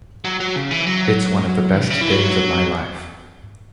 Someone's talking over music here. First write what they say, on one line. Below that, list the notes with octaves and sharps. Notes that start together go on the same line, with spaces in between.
It's one of the best days of my life.
F#3
F#3
C#3
E3
F#3
B2
C#3
E3
F#3